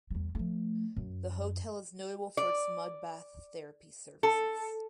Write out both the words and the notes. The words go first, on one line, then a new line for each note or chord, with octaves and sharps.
The hotel is notable for its mud bath therapy services.
E2 G3
F3 A3
F#2
D5
A4